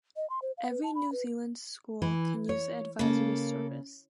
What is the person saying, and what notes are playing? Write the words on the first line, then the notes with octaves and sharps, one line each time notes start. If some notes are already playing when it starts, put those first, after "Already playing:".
Every New Zealand school can use the Advisory Service.
D#5
C6
C5
F5
B4
A5
B5
B4
E3
C#5
C#3 A#3 A4